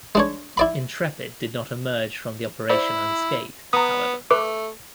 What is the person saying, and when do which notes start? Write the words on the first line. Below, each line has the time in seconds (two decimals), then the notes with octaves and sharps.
"Intrepid" did not emerge from the operation unscathed, however.
0.15 G#3 D4 C#5
0.57 E4 D5 B5
2.70 E4 C5 D5
3.73 B3 A#5 D#6
4.31 A3 B4 D6